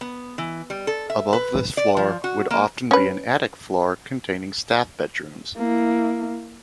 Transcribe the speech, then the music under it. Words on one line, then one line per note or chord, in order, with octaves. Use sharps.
Above this floor would often be an attic floor containing staff bedrooms.
B3
E3
G3
A4
E5
B4
D5
F3
F#4
A#3
C#4 B4
A#3 E4